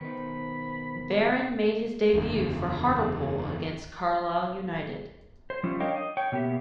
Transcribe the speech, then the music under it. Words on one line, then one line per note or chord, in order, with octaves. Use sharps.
Barron made his debut for Hartlepool against Carlisle United.
B2 D#3 D#4 B4 C5 B5
F#1 E2 D3
C5
F3 G3 C#4 E4 F4
D4 A#4 C#5 D#5 F5 G5
D#5
C#5 G5
B2 A#3 B3 C#4 G4 E5